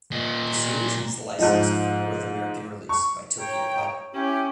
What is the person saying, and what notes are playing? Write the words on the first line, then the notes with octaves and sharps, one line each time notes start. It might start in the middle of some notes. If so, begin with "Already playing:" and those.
The series is licensed for North American release by Tokyopop.
A#2 D#5
G#2 F3 D#4
C#6
C#5 G5 A#5
C#4 E4 G4